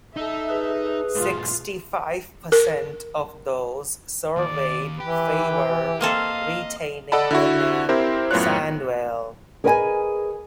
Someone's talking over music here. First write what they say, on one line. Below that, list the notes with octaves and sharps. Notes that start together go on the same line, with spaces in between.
Sixty-five percent of those surveyed favoured retaining the name Sandwell.
D#4 A4 E5
G#4 B4
G#2 B2 F4
A#4
D#2 D5
E3 G4 B4
A#3 C4 A4 D#5 F5
A4 D5 D#5 F#5 A5 B5
D3 E4 F#4
C4 E4 G4 A#4 C5
F#2 A2 B3 F4 C#5 F#6
G#4 A#4 B4 D#5 F#5 G#5